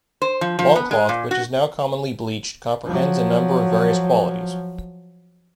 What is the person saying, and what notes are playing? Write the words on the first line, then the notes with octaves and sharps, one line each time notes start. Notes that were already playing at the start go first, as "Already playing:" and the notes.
Longcloth, which is now commonly bleached, comprehends a number of various qualities.
C5
F3
F3
B3
G#3
A#2
F#4
F3 F#3